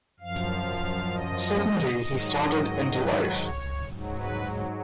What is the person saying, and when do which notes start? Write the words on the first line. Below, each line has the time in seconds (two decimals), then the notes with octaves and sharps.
Suddenly he started into life.
0.20 F#2 F3 F5
1.12 D#5
2.03 G#2 D#3 F#3
2.94 B4
3.41 C#5
3.86 G#2 F#3
4.16 B4